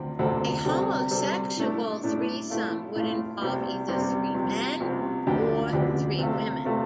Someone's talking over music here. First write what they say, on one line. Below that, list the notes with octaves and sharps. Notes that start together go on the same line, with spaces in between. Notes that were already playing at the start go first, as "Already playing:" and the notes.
A homosexual threesome would involve either three men or three women.
Already playing: D2 C3 F3 C4
D2 C3 F3 C4 A4
C3 G3 C4 A4
C3 G3 C4 A4
A2 A3 D4
A2 A3 D4
A2 A3 F4
A2 A3 F4
C2 C3 G3
C2 C3 G3
C2 C3 F3
C2 C3 F3
D2 D3 F3 D4 G4
D2 D3 F3 D4 G4
C3 A3 F4 A4
C3 A3 F4 A4